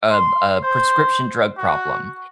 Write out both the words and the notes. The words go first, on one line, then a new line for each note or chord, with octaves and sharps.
a a prescription drug problem
C6
C5
F#4